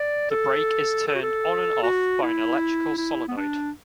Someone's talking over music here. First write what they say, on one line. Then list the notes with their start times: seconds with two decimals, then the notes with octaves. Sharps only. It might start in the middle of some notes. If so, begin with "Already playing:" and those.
The brake is turned on and off by an electrical solenoid.
Already playing: D5
0.31 A4
1.08 A4
1.15 F#4
1.22 A4
1.83 F#4
2.22 E4
2.98 E4
3.28 B3
3.37 D4